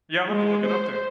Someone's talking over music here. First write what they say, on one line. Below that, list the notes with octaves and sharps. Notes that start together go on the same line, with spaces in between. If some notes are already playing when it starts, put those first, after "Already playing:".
Yeah, I'll have to look it up then.
G#3
C5